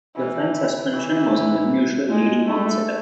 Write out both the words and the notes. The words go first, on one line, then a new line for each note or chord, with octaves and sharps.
The front suspension was an unusual leading-arm set-up.
E3
E3
G#3
A3